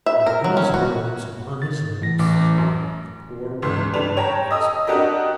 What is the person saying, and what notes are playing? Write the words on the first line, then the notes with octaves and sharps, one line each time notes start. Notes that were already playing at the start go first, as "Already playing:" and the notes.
With these words upon his lips, the poor wine-dealer expired.
E5
A#4
F#3
C#4
F#4
A6
A2 E3 A#6
A1 D6
F#2
C#2 C#3 E3 C6
G3 D4 B4 F7
C#5 G5 A5 A#5
D#5 D#6 E6
D4 F#4 G4 A#4 D#5